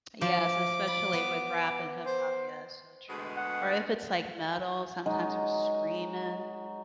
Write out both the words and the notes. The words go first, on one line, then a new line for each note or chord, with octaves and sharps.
Yes, especially with rap and hip hop, yeah, so true. Or if it's, like, metal, sometimes we're screaming
F3 D6
B5
B3
C5
D2 B2 G#3
F#5
F#3 G#3 D#4